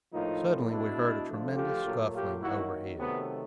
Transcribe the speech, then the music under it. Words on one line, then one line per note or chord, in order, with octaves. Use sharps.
Suddenly we heard a tremendous scuffling overhead.
A2 F3 A#3 D#4 F4
B2 G#3 D4 E4
D3 F3 A3
F4 G4
A#2 F#3 A3
F4 G4
D#3 F#3 A#3 E4 F#4
C3 D#3 F#3 A3 B3